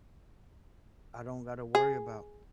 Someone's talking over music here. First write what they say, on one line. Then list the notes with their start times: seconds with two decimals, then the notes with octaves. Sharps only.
"I don't gotta worry about,"
1.75 G#4